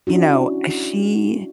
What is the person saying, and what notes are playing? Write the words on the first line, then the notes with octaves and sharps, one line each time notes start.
you know, uh, she
C#4 D4 E4 F#4